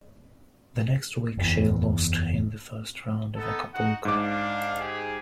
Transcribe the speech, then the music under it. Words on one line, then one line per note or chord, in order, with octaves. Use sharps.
The next week she lost in the first round of Acapulco.
F#1 E2
B3 D#4 A4
D#4 F#4 F#5
G#2 D4 F5 D6
G4 G#4